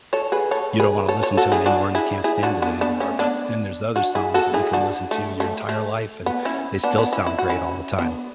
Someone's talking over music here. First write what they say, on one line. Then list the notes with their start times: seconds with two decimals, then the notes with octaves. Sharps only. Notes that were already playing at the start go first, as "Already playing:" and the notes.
you don't want to listen to anymore and you can't stand it anymore, but then there's other songs that you can listen to your entire life, and they still sound great all the time.
0.13 A4 C#5
0.32 G#4 B4
0.51 A4 C#5
0.80 G#4 B4
1.09 A4 C#5
1.23 A4 C#5
1.37 F#4 A4
1.52 E4 G#4
1.66 D4 F#4
1.95 E4 G#4
2.24 E4 G#4
2.43 D4 F#4
2.62 B3 D4
2.81 B3 D4
3.00 A3 C#4
3.19 B3 D4
3.96 D4 F#4
4.15 E4 G#4
4.34 F#4 A4
4.54 E4 G#4
4.73 D4 F#4
5.11 A3
5.40 A3
5.69 A3
6.26 B3
6.45 C#4 E4
6.84 B3 D4
6.98 B3 D4
7.13 C#4 E4
7.26 E4
7.39 F#4
7.49 C#4 E4
7.98 B3 D4